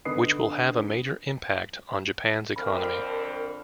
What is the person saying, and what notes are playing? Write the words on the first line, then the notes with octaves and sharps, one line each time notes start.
Which will have a major impact on Japans' economy.
D3 B3 D#4 B4 D#6 C7
F2 D3 C4 A#4 B5 F6